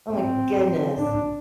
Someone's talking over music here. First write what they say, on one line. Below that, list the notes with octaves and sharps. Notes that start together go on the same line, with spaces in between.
Oh my goodness.
C4
D4